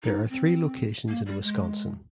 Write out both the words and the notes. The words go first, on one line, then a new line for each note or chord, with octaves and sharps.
There are three locations in Wisconsin.
D#4
C4
A#3
G3
G#3